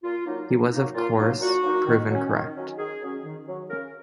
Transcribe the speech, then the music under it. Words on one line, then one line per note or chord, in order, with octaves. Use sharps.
He was, of course, proven correct.
A#2 F4
F#3 A#3 D#4
A#2
F#3 A#3 D#4
A#2 F4
F#3 A#3 D#4
A#2 F#4
F#3 A#3 D#4
D#3
F#3 C#4
D#3
F#3 C#4
D#3 G#4
F#3 C#4
D#3
F#3 C#4
C#3 A#4